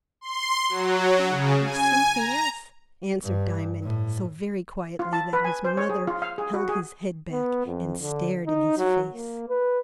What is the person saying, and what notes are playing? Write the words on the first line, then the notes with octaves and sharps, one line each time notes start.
"That or something else," answered Diamond, so very quietly that his mother held his head back and stared in his face.
C6
F#3
C#3
G#5
A#5
G2
A2
F4
A5
B4
G#5
C5
C#5
G#4
F4
F5
G#4
F#4
G#4
B3
F2
D3
D#4
F#3
A#3
B4